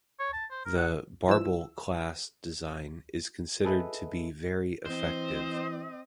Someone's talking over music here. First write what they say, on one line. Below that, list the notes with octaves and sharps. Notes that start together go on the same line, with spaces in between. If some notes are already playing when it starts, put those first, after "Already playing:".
The "Barbel" class' design is considered to be very effective.
C#5
A5
C5
A#4
F#5
E3 F3 E6
G#4 A4 B4 D#5 E5
E3 C4 C5 D#5